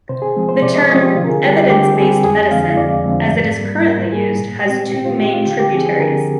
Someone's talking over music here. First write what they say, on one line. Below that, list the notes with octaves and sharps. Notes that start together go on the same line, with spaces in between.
The term "evidence-based medicine", as it is currently used, has two main tributaries.
C3 C5
G#4
F3 G#3 C4
C5
C3 D5
D#5
F3 G#3 C4 D#5
G4
D3 F4
A#4
G#4
G3 C4 G4
G4
D3 G4
G4
G3 C4 G#4
G4
F2 G#4
D#5
D3 F3 G#3 C4 F5
F2 D5
D3 F3 G#3 C4
G#2
G3 A#3
G#2 A#4
G3 A#3 G#4
A#2
G#3 C4 G4
A#2 G4
F4
G#3 C4 G4
F4
D3 G4
G4
F3 C4 G#4
G#4
D3 A#4